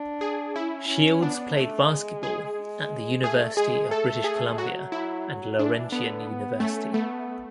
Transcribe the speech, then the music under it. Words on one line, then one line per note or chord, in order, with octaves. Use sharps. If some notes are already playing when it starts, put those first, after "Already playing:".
Shields played basketball at the University of British Columbia and Laurentian University.
Already playing: D4
G#4
C#4 E4
C#4
B3 D4
A3
G#3
G#4
G#3
A3 G#4
G#3 G#4
A3 A4
G#4
F#3 F#4
E4
E3 D4
D3 B3
B3
A3 C#4
A3 B3